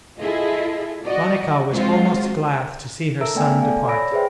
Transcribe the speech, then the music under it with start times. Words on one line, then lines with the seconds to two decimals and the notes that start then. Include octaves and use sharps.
Monica was almost glad to see her son depart.
0.19 E4 F4 G#4 A4 D#5
1.04 F#4 D5 D#5
1.72 F3 G#3 C4 F4 F#4 C5
3.21 A4 A#4 E5 A#5 E6 D7
3.35 A3 B3 D5 G5 G#5
3.62 A4 D5 F5 G#5
3.87 C#5 D5 B5 E6 A#6 D7
4.12 G#4 B4 C5 E5 G5